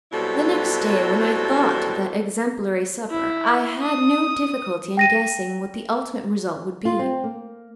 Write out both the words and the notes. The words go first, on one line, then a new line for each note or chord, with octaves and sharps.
The next day, when I thought of that exemplary supper, I had no difficulty in guessing what the ultimate result would be.
B2 F#3 G3 C4 E4 A4
E4
D#6
G5 A#6 D#7
F4
C4
A#3